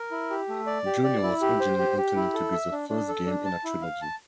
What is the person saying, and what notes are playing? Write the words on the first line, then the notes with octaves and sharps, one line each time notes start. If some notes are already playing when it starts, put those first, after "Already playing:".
"Journey" was originally intended to be the first game in a trilogy.
Already playing: A#4
E4
G4
A3
D5
G4
D5
E4
G4
C5
G4
G4
E4
A4
E5
D4
D4
A4
D4
A5
E4
F5
A5